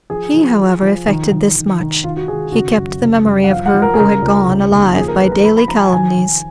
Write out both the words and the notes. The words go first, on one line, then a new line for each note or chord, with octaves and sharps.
He, however, effected this much: he kept the memory of her who had gone, alive by daily calumnies.
F3 G#4
F3
F3
F3
D#3
D#3
D#3
D#3
D#3 F4
F#4
D#3 G#4
C#3 F#4
F#2
C#3
F#2
F#5
F3 F5
F#5
F3
A#4
G#4
C#3 A#4
C#2
C#3
D#2
F3 G#4
A#4
F3 B4
A#5
F3 B5
B5
F3 A#5
G#5
D#3 G#5
D#3